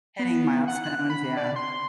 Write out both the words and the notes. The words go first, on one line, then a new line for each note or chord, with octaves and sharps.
Hitting milestones, yeah.
B3
F#5
F#6
B5
D5
C6